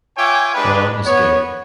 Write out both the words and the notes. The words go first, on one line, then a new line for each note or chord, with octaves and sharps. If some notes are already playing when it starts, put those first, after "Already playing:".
Braun is gay.
F4 C#5 E5 G5 G#5 D6
G#3 D4 G4 B4
B3 C#5